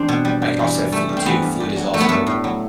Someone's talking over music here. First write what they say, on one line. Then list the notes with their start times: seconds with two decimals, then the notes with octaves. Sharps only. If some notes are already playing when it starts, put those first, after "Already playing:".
I c I also have food too. Food is also,
Already playing: E2 C4 D4
0.08 B2
0.25 G3
0.42 G2
0.59 E3
0.75 G2
0.92 G3 A3
1.09 G2
1.17 C4
1.25 E3 B3
1.42 G2
1.60 G2
1.76 F#3
1.93 F#3 A3
2.00 B3
2.09 G2 A3
2.27 A2
2.44 F#3